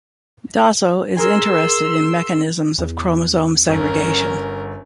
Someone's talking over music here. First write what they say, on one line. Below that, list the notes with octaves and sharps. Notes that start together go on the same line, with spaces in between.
Dasso is interested in mechanisms of chromosome segregation.
G#4 A#4 G#5 C6 E6
E2
G1 C#4 A#4